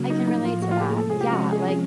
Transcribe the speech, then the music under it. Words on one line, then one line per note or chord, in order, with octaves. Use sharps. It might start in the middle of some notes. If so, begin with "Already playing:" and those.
I can relate to that. Yeah, like,
Already playing: C#3 F#3 A#3
D#4
A2 F3 A#3 D#4
F4
F#4
F4
G4
G#4
C3 F3 G#3 C#4 A4
G#4
G4
F#4
G#4
G#4